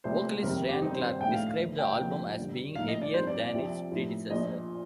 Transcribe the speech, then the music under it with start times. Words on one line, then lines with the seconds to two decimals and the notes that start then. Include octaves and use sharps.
Vocalist Ryan Clark described the album as being heavier than its predecessor.
0.04 C2 A#2 A3 C5
0.43 G1 F2 C3 D#3 A#4
0.69 G4
0.81 G2 D#3 G3 C4 D#4
0.95 C5
1.08 C5
1.21 A#1 A2 A3 D#4 G5
1.33 F5
1.47 F5
1.59 D2 D3 A3
1.79 G5
1.98 F1 F2 C3 F3 A#3
2.37 G1 G2 D3
2.75 A#1 A2 F3 A#3 D#4 F5
2.88 D#5
3.02 D5
3.14 G2 F3 C4 D#4 C5
3.27 D5
3.40 D5
3.53 C2 C3 F3
3.92 A2 F3 A#3 D#4
4.30 A#1 A#2 F3 D#5